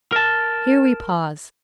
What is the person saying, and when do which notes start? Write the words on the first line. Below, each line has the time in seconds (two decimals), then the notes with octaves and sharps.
Here we pause.
0.12 A#4 A5